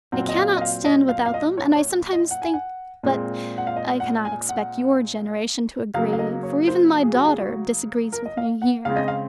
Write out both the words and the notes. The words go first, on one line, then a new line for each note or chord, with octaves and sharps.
"It cannot stand without them, and I sometimes think--But I cannot expect your generation to agree, for even my daughter disagrees with me here."
A#2 F#3 C4 F#5
D#5
F5
D#5
F5
D#5
F5
F5
D#5
C#5
C#5
D#5
F#5
G#5
F#5
A#2 G#3 C4
F#5
F5
D#5
F#5
G#5
F#5
C#3 F#3 A#3 F5
F5
D#5
C#5
C5
G#4
F#4
G#4
F#4
A#4
D#5
F5
F#5
C#3 G#3 C4 F5
D#5
F5